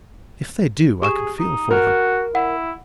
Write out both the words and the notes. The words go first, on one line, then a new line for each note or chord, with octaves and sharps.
If they do, I can feel for them.
G4 G#4 C#6 E7
D#4
F#4 A#4
E4 F#5